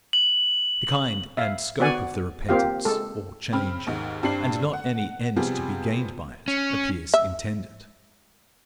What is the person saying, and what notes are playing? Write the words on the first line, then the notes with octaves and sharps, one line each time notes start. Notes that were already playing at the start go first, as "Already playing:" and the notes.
The kind and scope of the repentance or change, and not any end to be gained by it, appears intended.
F#7
E5 F5
B3 F#4 D5 F#5 G#5
A#3 C4 F4 G4 F5
G#3 A4
C#3 C4 B5 F6
D#2 G#2 D#3
G2 G3 C4 D4 C7 F#7
F#5
C3 F3 G3 B3 G#4
C#4
E5